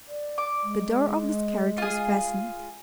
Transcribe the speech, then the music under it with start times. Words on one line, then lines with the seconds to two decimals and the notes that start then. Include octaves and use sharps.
The door of this carriage was fastened.
0.08 D5
0.38 D6
0.63 G#3
1.78 F4 G#4